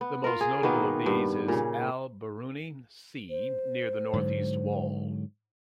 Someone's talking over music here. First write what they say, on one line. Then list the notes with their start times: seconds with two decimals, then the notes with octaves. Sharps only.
The most notable of these is Al-Biruni C near the northeast wall.
0.01 B3
0.24 F4 A#4
0.41 G#4
0.62 B2 D#3 A#3 B3
1.06 G2
1.48 A#2 C#3
3.30 C5
4.13 G#2 D3 F#3